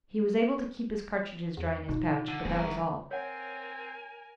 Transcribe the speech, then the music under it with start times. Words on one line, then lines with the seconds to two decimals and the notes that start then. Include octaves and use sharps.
He was able to keep his cartridges dry in his pouch, but that was all.
1.57 E2
1.89 B2 D#4 F4
2.28 D3
2.45 F#1 G3 B3 C4 G#4
2.58 E4 A#4
3.11 C4 A#4 C#5 F#5 G#5